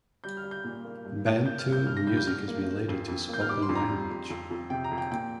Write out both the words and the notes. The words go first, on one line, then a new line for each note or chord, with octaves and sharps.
Bantu music is related to spoken language.
G3 G6
F6
G3
G6
A#2
A#3
G2
A#3
A#3 G6
F6
G2
G6
G2 F6
A#6
G3 G6
G6
G3 F6
A#3
A#3
F2
F2
A#3 G6
F6
G3 D6
C6
F2
A#5
G3
F2
F2
F2
C3 G5
A#5
F2
G5
A#2 G5